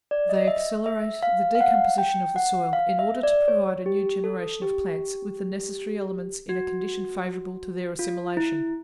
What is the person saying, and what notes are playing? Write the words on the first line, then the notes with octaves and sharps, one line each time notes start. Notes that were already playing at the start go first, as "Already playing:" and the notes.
They accelerate the decomposition of the soil, in order to provide a new generation of plants with the necessary elements in a condition favourable to their assimilation.
D5
D#5
E5
E5
F5
F5
F#5
G5
F#5
F5
E5
D5
C#5
G4
A4
G4
F#4
F4
E4